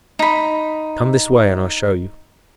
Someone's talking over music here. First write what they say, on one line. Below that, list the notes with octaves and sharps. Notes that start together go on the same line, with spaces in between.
Come this way and I'll show you.
D#4 B5